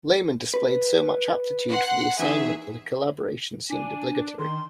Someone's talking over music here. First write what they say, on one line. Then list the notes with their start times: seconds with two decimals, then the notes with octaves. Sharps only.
Layman displayed so much aptitude for the assignment that a collaboration seemed obligatory.
0.54 B4
1.70 F#5 C6 F#6
2.19 E2 D#4 G#4 E5
3.70 D4 G#5
4.39 D#3 C6